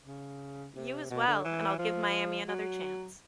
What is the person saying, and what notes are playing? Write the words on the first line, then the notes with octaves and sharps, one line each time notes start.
You as well, and I'll give Miami another chance.
C#3
C3
B2
D3
E3
F3
F#3